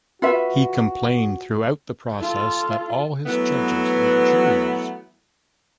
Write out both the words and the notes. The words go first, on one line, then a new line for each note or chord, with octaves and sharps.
He complained throughout the process that all his judges were Jews.
F4 F#4 B4 E5
F4 A4
E3 F#3 A3 B3